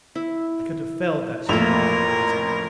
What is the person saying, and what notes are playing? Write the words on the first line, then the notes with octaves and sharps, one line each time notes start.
I could have felled that steward as he passed me.
E4
A1 F2 A#3 A4 A#4 E5 F7